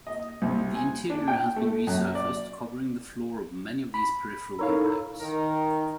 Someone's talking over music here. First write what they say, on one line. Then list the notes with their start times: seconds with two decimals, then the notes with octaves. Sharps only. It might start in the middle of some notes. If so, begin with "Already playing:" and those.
The interior has been resurfaced, covering the floor of many of these peripheral impacts.
0.07 D#5
0.42 C2
0.75 G#5
1.10 D4
1.28 G5
1.56 A3
1.87 F#2
2.15 D5
3.94 B5
4.59 D#4 E4 A4 A#4 C#5 F5
5.20 D#3 D#4 A#4